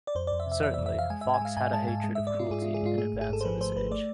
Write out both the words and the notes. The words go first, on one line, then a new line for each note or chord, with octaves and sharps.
Certainly, Foxe had a hatred of cruelty in advance of his age.
D5
F2 C5
F2 D5
E5
C3
E5
E3 E5
E5
F2
E5
F2 F5
G#3 G#5
G#2 E5
G#5
G#3 F5
G#2 G#5
G#3 A5
G#2 G#5
G#3
G#2 E5
D5
G#3 F4
G#2 G#4
G#3 F4
G#4
G#2 F4
A3 G#4
G#1
G#4
G#2 A4
C5
F3 B4
A3 C5
G#1 B4
A3 D5